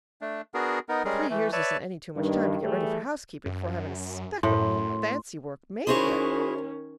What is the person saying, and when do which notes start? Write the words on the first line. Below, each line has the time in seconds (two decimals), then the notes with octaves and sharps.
But three years isn't any too much time to get ready for housekeeping, for I haven't a speck of fancy work made yet.
0.21 A3 D4
0.54 B3 D4 F#4 G#4 A#4
0.89 B3 D#4 A#4
1.05 G3 G#3 C#4 G#4 A#4
1.30 E3 A3
1.53 B4 C#5 D5 E5 A5
2.17 G2 D#3
2.63 E3 G3 A3 G#4
3.46 F#2
4.43 F#2 A2 C6
5.87 D#3 C#4 E4 F#4 G#4 C5 C#5